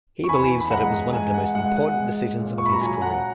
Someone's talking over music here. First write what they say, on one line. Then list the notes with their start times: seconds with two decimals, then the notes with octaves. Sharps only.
He believes that it was one of the most important decisions of his career.
0.24 C#6
0.29 E2 G#5 B5
0.61 B5
0.71 G#3 F#5 A#5
1.13 G#3 G#5
1.34 F#5
1.54 G#3 F#5
1.77 F#5
1.97 G#3
2.39 A#2
2.58 C#6
2.66 B5
2.73 A#5
2.80 F#3 G#5
3.01 F#5 A#5